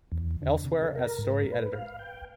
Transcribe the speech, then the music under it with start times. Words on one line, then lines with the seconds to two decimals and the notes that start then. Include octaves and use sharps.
Elsewhere as story editor.
0.12 E2
0.42 D3
0.65 C3
0.83 A4
0.96 A#4
1.18 G#2
1.52 B4
1.73 F5
1.99 G5